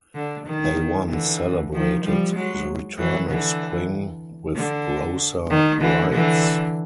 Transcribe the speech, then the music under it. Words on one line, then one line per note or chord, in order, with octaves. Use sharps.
They once celebrated the return of spring with grosser rites.
D3
D#3
D3 E3
D#3 F3
F3 G3
F#3 G#3
E3 F#3
D3 E3
D3
D#3
D3 E3
D3 E3